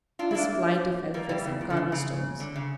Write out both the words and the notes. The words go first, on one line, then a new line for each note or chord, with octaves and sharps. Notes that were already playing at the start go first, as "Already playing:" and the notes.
"This flight of Elphick's and Cardlestone's."
D4 F4
E4
A#3 D4
G3 A#3
E3 G3
C#3
A#2
D3
C#3
C#3
D3
C#3